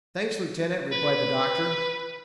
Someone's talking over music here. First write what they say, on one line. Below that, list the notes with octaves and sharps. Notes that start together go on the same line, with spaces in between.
"Thanks, Lieutenant," replied the Doctor.
B4